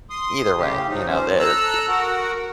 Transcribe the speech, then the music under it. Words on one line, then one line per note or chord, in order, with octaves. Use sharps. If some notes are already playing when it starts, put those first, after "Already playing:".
Either way, you know, the c
C6 D#6
A2 C#3 G4
F3 F#3 D#4
F3 C#4 C5
A4 A#5 E6 F#6
F#4 A#4 F#5